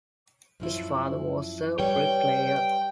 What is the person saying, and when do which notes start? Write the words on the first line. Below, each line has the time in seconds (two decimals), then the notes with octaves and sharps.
His father was a bricklayer.
0.60 F#2 F3 E4
1.80 G3 B4 C#5 G5